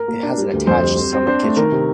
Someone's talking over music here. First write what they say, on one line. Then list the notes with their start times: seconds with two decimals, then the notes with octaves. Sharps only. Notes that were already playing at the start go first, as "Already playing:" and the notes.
It has an attached summer kitchen.
Already playing: A#4
0.08 A#3
0.23 D4
0.37 G3
0.53 D2
0.67 F2 C5
0.83 G3
0.97 C4
1.13 C4
1.27 D4 C5
1.43 A3
1.57 D#3 A#4
1.72 C3